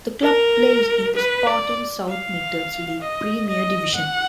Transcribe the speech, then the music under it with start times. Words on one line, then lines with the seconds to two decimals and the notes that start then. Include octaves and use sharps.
The club plays in the Spartan South Midlands League Premier Division.
0.22 A#4
1.16 B4
1.47 D5
2.09 F5
3.02 D#5
3.49 D#5
3.95 F#5